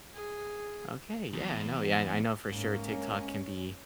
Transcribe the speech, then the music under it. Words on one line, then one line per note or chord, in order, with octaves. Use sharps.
Okay, yeah, I know, yeah, and I know, for sure, TikTok can be
G#4
E2
G#2 A#3 C#4